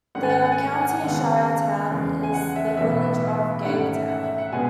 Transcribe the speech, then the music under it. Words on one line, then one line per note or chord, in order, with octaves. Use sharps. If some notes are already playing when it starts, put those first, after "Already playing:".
The county shire town is the village of Gagetown.
G#2 D#3 A3 C#4 F#5
G#5
F#5
G#5
F#5
G#5
F#5
G#5
F#5
G#5
F#5
D#2 C#3 G#3 B3 F#5
E2 C#3 G#3 C#4
G#5
F#5
E5
B1 A2 E3 B3 E5
G#2 D#3 A3 C#4 F#5
F#5
E5
F#5
E5
F#5
B2 G#3 B3 G#5